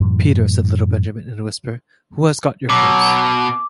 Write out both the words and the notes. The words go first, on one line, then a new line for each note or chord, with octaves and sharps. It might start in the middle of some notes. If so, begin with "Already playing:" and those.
"Peter," — said little Benjamin, in a whisper — "who has got your clothes?"
F#2 A2 E3
B2 F#3 D6